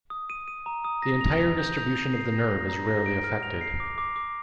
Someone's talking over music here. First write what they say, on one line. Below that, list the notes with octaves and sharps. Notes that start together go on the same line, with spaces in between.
The entire distribution of the nerve is rarely affected.
D#6
D#7
D#7
A#5
D#6
A#6
F7
F7
G6
F7
F7
C7
A#6
A#6
A#5
A#6
D7
F6
F7
C7
D6
D6
D6